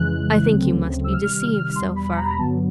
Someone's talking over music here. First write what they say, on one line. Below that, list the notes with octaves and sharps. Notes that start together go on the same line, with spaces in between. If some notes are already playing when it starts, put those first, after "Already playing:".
I think you must be deceived so far.
Already playing: F2 C#3 E3 G#3 F#6
D2 C#3 F#3 A3 C4
E6
C3 D#3 G3 F6
E2 B2 G3 C6
B5
A#5
G2 D3 F#3 B3 A5